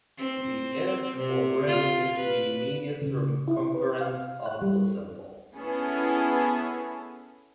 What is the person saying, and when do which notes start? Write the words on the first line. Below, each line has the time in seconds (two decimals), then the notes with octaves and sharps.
The edge or rim is the immediate circumference of the cymbal.
0.18 C4
1.17 C3
1.67 F4
2.16 B4
3.02 C#3
3.48 E4
3.74 B4
4.01 F5
4.46 F#6
4.62 G3
5.57 B3 C#4 E4 G#4 A4